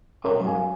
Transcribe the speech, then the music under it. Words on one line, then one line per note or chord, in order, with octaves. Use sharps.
I want
C#4 A#4 C#5
F#3
F5 G#5